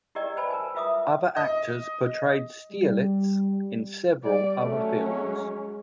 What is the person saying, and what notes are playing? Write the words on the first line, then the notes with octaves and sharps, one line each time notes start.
Other actors portrayed Stierlitz in several other films.
E4 G4 A#4 D5 D#5 G5
B4 C5 G5 A5 B5
A#4 G#5
F4 B4 E5 D6 D#6
D#5
G3
G3 D5
F#3 A3 C#4
G#3